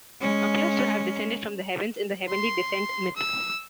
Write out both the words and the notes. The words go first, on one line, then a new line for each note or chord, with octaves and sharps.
Appears to have descended from the heavens in the heavenly descent myth.
G#3 C#4
C6
E6